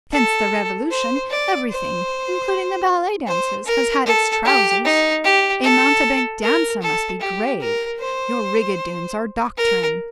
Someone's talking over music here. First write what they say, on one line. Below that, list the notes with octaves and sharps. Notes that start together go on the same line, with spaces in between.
Since the revolution, everything, including the ballet-dancers, has had its trousers; a mountebank dancer must be grave; your rigadoons are doctrinarian.
A4
C5
D5
C5
C5
A#4
A4
G4
D#4
G4
A4
A#4
A4
G4
A#4
C5
A#4